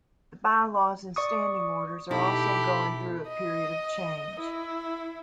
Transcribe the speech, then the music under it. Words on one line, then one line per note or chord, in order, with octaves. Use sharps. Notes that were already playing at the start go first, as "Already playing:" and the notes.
The Bye-Laws and Standing Orders are also going through a period of change.
D5 C#6 D#6
B2 D#4 E4 G4 A4 B5
D#5
E4